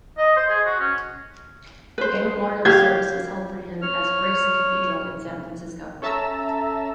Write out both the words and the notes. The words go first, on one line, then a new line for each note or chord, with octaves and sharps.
A memorial service was held for him as Grace Cathedral in San Francisco.
D#5
C5
G#4
F#4
C#4
B4 C5
G4 F5 G#6
C#5 F6
C#4 A4 E5 A5 A#5 E6